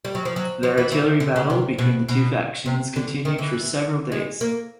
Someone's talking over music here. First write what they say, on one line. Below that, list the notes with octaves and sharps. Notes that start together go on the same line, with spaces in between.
The artillery battle between the two factions continued for several days.
G3
F#3
F3
F#3
F3
E3
E3
D3
C#3
C3
B2
B2
C3
D3
D#3
E3
G#3
A#3